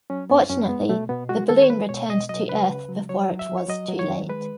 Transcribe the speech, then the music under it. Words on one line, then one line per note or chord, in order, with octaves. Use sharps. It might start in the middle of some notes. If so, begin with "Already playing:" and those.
Fortunately, the balloon returned to earth before it was too late.
F#3 C#4
F#2 B3
F#2 C#4
G#3 B3
B2 A3
B2 B3
G#3 F#4
D#3 A4
C#5
G#3 B4
B2 C#5
B2 D#5
F#3 D#5
C#3 B4
C#3
F#3
F#3 C#5
F#3
E5
F#3
C#5
F#3 D#5
F#3
C#5
D#3
G#3 B4